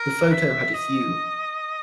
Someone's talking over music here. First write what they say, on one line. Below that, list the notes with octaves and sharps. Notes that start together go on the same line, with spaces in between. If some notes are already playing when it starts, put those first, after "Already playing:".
The photo had a hue.
Already playing: A#4
E5
D#5